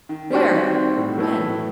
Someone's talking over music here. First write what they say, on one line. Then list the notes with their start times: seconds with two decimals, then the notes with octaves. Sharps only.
"Where? When?"
0.09 D#3
0.30 G3 C4 F#4
0.53 D#3
0.74 G3 C4 F#4
0.96 A2
1.18 F#3 B3 E4 A4
1.40 A2